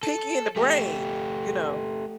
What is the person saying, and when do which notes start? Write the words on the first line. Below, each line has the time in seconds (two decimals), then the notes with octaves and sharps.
Pinky and the Brain, you know?
0.03 A4
0.56 A3 G4